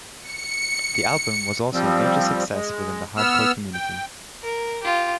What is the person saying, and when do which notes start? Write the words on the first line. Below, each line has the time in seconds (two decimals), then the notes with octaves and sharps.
The album was also a major success within the hardcore community.
0.20 C#7
1.73 F3 G3 C4
2.53 G#3
3.17 B3 E6 F6
3.73 G5
4.42 A#4
4.83 F4 G4